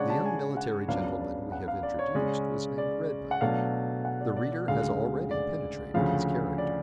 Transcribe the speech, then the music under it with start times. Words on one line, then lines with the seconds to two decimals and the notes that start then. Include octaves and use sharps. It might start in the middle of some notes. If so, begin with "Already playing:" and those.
The young military gentleman we have introduced was named Redmond. The reader has already penetrated his character.
Already playing: C#3 G#3 D4 C#5 D5 F#5
0.10 A5
0.26 G#5
0.57 F#5
0.88 C#2 C#3 F#3 B3 D4 F5
1.20 D5
1.52 F#5
1.68 F5
1.83 D5
1.99 C#5
2.15 C#3 G#3 C#4 D5
2.78 D5
3.31 F#5
3.41 B2 F#3 A3 D4 F5
4.05 F#5
4.21 D5
4.37 D5
4.52 D5
4.68 D2 C#3 G#3 F5
5.31 D5
5.94 D2 C#3 F3 F5
6.58 D5